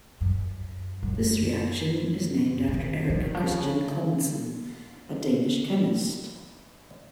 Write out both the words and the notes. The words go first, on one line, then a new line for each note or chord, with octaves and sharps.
This reaction is named after Erik Christian Clemmensen, a Danish chemist.
F#2
F#2
D#3
F3
D#3
F3
C#3